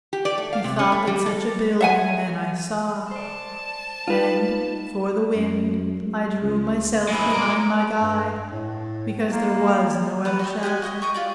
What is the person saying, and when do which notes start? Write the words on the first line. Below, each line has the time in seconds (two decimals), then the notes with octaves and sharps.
Methought that such a building then I saw; And, for the wind, I drew myself behind My Guide, because there was no other shelter.
0.13 G4
0.25 D5
0.38 A3
0.53 F5
0.64 C3
0.79 C#4
0.92 A3
1.07 G3
1.26 A4
1.81 E5 F#5 G#5
3.11 C5 D5 A5
4.08 D#4 F4 B4
5.36 F#2
6.01 G#3
6.42 C#2
7.08 G#3 E4
7.33 A#4 D5
8.01 G2
8.52 A2
9.32 A#3
10.25 B4 F#5
10.39 F#4 D#5 G5
10.63 G4 D#5 F#5 G#5
10.82 F#4 D#5 D#6
11.02 D#5 G5 C#6
11.14 F4 G4 D5